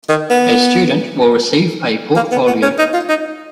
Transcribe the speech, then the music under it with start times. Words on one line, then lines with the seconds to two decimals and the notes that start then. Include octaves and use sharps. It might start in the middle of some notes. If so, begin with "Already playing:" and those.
A student will receive a portfolio.
0.09 D#3
0.30 B3
2.16 A#3
2.32 B3
2.47 B3
2.63 C#4
2.78 D#4
2.93 F4
3.09 D#4